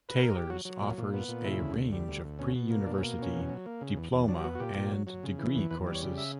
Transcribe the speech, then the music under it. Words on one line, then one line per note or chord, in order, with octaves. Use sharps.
Taylor's offers a range of pre-university, diploma and degree courses.
B4
A#4
G4
F#3 F#4
F#3
A#2
A#2
B3
A#2
C#3 E4
D2
D2
G3
D2
D2
B2 C#4
B2
A#3
B2 D4
C#4
A#3
B2 C#4
E2
F#3
A#3
C#3
E2
E2
F#3 D4
G4
B3 F#4
F#4
A#2 G4
A#2
F#3
F#3
C#3
E3
E2
E2 B4
G3
C#5
C#3
E5